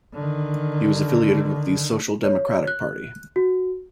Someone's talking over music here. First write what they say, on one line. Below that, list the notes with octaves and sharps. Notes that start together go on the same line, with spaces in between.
He was affiliated with the Social Democratic Party.
D3 D#3
C#5
F#6
F#4